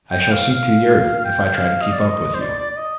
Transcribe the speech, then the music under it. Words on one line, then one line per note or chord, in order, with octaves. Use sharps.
I shall sink to the earth if I try to keep up with you.'
G5
G5
F5
F5
F5
G5
G5
F5
D#5
D5
D#5
C5
D5
D5
D5
D#5